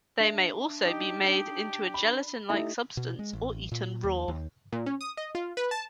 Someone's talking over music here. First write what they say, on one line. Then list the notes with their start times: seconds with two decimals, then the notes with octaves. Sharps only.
They may also be made into a gelatin-like substance or eaten raw.
0.20 D4 E5
0.85 D#4 G4
1.94 B5
2.50 A3 D#4 E4 G4 E5 B5
2.97 B2
3.19 G#3
3.33 A1
3.72 A#2
4.04 D#2
4.28 D#2
4.72 A#2
4.86 C#4
5.01 D#6
5.17 D#5
5.35 F4
5.57 B4
5.71 A5